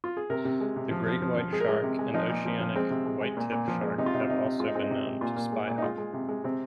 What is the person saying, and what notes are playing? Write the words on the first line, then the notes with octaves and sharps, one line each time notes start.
The great white shark and oceanic whitetip shark have also been known to spyhop.
F4
G#4
C3 A#4
C3
G#3
C3
F3
F3
F3
F3
G#3 G#4
A#4
G#3 G#4
C3
G#3
F3 D#4
A#2
F3
F3
G#3 C4
C3
G#3
G#3
A#2
A#2
F3
G#3
C3 D#4
F4
C3 D#4
F4
C3 D#4
C3
G#3 F4
D#4
G#3 C4
D#4
C3
C3
A#2 F4
A#2
G#3
A#2
D#4
G#3 F4
G#3
C3
G#3
C3 C4